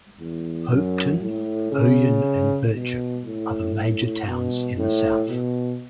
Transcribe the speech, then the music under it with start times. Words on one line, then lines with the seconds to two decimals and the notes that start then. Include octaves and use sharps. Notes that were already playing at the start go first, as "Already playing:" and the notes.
Hopetoun, Ouyen and Birchip are the major towns in the south.
0.19 E2
0.70 F#2
1.21 A2
1.72 C#3
2.74 B2
3.25 A2
3.75 A2
4.26 B2
4.78 A2
5.29 B2